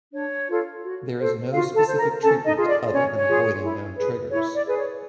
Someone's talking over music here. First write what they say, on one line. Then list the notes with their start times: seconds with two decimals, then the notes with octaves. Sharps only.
There is no specific treatment, other than avoiding known triggers.
0.13 D4 C#5
0.48 F4 A4 C#5
0.83 F#4
1.18 A4 C5
1.52 F4 F#4 F5
1.76 A4 A5
1.88 A4 C5
1.99 A#4 A#5
2.22 C#4 A4 A5
2.45 D#4 D#5
2.57 F4 G#4
2.68 D5
2.92 C#4 C#5
3.17 C#5
3.26 F4 G#4
3.62 E4
3.97 G#4 B4
4.31 E4 C#5
4.55 D5
4.66 G#4 B4
4.78 C#5